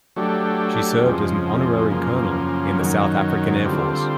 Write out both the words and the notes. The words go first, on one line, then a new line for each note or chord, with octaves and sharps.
She served as an Honorary Colonel in the South African Air Force.
F#3 A3 D4 G4
F2 C#3 F3 G#3
F#2 C#3 F3 A#3
F#2 D#3 F#3
D3 G3 C4 F4